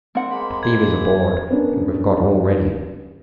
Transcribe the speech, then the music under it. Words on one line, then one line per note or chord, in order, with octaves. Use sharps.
The fever's aboard, and we've got all ready.
C4 A#4 F#5
G#3 A#3 B5
G#6
B3 C#4 D4 A#4